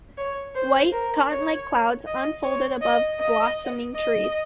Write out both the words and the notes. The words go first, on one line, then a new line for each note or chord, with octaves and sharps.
White, cottonlike clouds unfolded above the blossoming trees.
C#5
C5
A#4
C#5
D#5
C#5
D#5
D#5
D#5